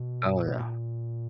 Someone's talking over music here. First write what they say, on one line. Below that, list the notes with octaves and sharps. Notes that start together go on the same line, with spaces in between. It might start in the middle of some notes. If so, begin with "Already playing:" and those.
Oh, yeah.
Already playing: B2
A#2
B2
A#2